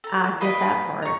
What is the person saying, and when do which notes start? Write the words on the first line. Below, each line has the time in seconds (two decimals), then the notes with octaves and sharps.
I get that part.
0.04 A4 A#5
0.41 A#3 B4 D#5
1.02 A#5 C#6